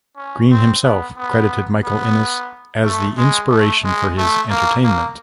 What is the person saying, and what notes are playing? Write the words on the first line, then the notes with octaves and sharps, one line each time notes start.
Greene himself credited Michael Innes as the inspiration for his "entertainment".
C#4
C4
B3
B3
B3
A3
G#3
A3
G#3
A3
A#3
A#3